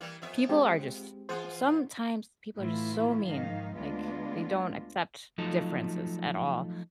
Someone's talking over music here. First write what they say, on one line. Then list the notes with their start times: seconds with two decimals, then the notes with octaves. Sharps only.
people are just sometimes people are just so mean. Like, they don't accept differences at all.
0.01 E3 G3 A#3
0.22 F2 B3 E5
0.49 G#3 C4 G4
1.29 E3 F4 G#4 C5 F#5
2.58 A2 E3 E4 F4
3.25 G#2 D#3 F3 D#4 F5
3.74 D2 G#3 B3 D4 F4
5.38 F3 F#3 A3 D#4 F4 A4